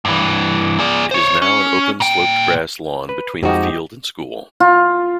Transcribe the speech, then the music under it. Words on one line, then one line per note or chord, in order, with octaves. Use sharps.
It is now an open sloped grass lawn between the field and school.
G2 E3
G#4 D5
C5 C#5
C#4
A#2 G5
B4
F2 G#3 C4 D#4 F#4 G4 D#5
F4